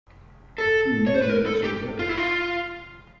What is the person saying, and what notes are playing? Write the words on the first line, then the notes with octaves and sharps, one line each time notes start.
The two may be used together.
A4
C#5
C5
B4
A#4
A4
G4
F4
E4
F4